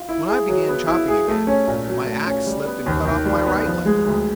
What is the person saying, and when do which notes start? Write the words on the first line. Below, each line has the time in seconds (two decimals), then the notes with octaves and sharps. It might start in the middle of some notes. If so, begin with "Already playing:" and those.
When I began chopping again, my axe slipped and cut off my right leg.
Already playing: F4
0.09 E4
0.28 G#4
0.48 F#3
0.68 B3
0.88 E4
1.08 G#4
1.28 A3
1.47 C#4
1.68 A#2
1.87 F#3
2.07 A3
2.26 C#4
2.46 G3
2.66 B3
2.86 D#2
3.05 D#3
3.25 G3
3.46 B3
3.66 F3
3.85 G#3
4.05 D2